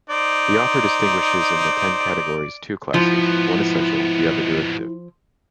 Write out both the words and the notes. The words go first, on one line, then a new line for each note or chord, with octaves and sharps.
The author distinguishes in the ten categories two classes, one essential, the other derivative.
D#4 C5 D5
G#2 F3 B3 E4